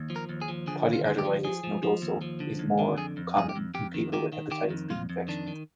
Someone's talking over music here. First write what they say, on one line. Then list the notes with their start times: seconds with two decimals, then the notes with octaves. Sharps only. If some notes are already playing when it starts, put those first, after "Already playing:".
Polyarteritis nodosa is more common in people with hepatitis B infection.
Already playing: D#2
0.10 F3
0.16 A#4
0.29 D#2
0.42 G#4
0.49 F3
0.67 D3 G#4
0.87 D#2
0.93 F4
1.06 D3
1.18 G4
1.25 F3
1.44 F3 G#4
1.64 F3
1.83 F3
2.02 D#2
2.21 F3
2.40 D3
2.59 D#2
2.79 D3
2.98 F2 G#4
3.17 F2
3.36 F2 G#4
3.49 G4
3.56 F2
3.74 F2 G4
3.94 D#3
4.13 D#3 G4
4.32 D#3
4.51 D#3 G4
4.70 F2
4.90 F2 F4
5.09 F2
5.28 D#3 D4
5.48 D#3